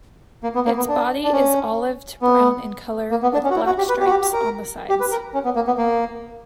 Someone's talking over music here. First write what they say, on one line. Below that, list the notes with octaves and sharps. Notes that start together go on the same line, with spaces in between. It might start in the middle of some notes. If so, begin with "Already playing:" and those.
Its body is olive to brown in color, with black stripes on the sides.
A#3
B3
A#3
B3
D4
D4
C#4
B3
A#3
B3
D4
C#4
F#4
E4
F#4
G4
B4
G4
F#4
G4
G4
A#4
G4
B4
A#4
C#4
B3
A#3
B3
A#3